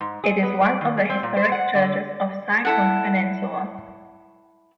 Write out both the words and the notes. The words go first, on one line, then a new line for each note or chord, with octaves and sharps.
It is one of the historic churches of Sai Kung Peninsula.
G#2
G#4
B3
D5
D#3
G#4
C4
A#2
C5
F#5
D3
E4 A4 F#5